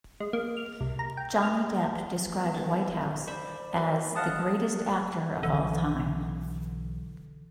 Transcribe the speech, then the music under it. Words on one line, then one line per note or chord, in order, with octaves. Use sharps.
Johnny Depp described Whitehouse as "the greatest actor of all time".
G#3
A#3
F6
C2
A#5
G5
F6
B3
D#3 G#3
C5 D5 E5 B5
F#3 A#3
D#5 F5 F#5 A5 D#6
B1 D3 E3 F#3